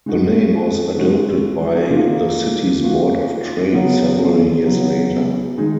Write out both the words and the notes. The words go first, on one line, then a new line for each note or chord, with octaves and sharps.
The name was adopted by the city's Board of Trade several years later.
G#3 D#4 F#4
G#3 D#4 F#4
F3 A#3 D#4 F#4
F3 A#3 D#4 F#4
C#3 F#3 B3
C#3 F#3 B3
D#3 G#3 D#4 G#4